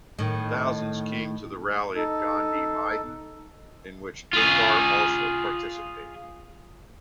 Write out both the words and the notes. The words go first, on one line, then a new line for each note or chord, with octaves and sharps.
Thousands came to the rally at Gandhi Maidan in which Dinkar also participated.
A2 D#3
D#4 A4
F4 G#4